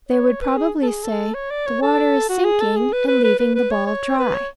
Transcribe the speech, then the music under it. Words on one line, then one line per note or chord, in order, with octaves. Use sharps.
They would probably say, "The water is sinking and leaving the ball dry."
C#5
B4
G#4
A4
G#4
A4
C#5
D5
C#5
A4
F#4
G#4
A4
G#4
B4
B4
B4
B4
B4
C#5
C#5
B4
C#5